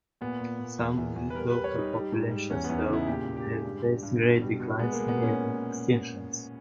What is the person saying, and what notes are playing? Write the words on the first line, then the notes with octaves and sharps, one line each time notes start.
Some local populations, though, have faced great declines and even extinctions.
A#2 B3
A#2
A#2
E2
E2
E2
B4
G3 A#4
B4
G3
C#5
G3 D#4
G3
G#2
G3
E2 C#4
E2 B3
D#4
C#3
E4
A#2 G4
A#2
G4
G#3
G2
G2
G2
B2
G3
B2
G#3 B3
A#3
G#3
B3
A#2 C#4